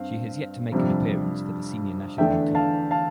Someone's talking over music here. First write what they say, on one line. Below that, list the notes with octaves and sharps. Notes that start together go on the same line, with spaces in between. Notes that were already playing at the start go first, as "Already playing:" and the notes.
She has yet to make an appearance for the senior national team.
Already playing: G2 C4 F5
F2 C3 G3 D4
E2 D3 A3 D4 E5 G5
F5 A5
F5 A5